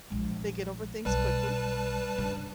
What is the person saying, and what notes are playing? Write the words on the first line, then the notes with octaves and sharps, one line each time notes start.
they get over things quickly,
A#1 G#3
B1 G3 B4 A5
G2 C#3